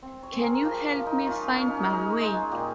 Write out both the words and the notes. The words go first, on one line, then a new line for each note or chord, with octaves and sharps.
Can you help me find my way?
C4
C#5
C4 G#4
A#4
F3 G4
F3
D#4
C#4 F4
C#4
C#4
D#4
C#4
G#3 D#4
G#3
A#2 G4